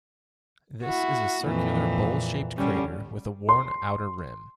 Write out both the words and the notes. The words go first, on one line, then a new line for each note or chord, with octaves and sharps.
This is a circular, bowl-shaped crater with a worn outer rim.
E4 F#4
F2 A#2 E3
D3 G3 C#4
C6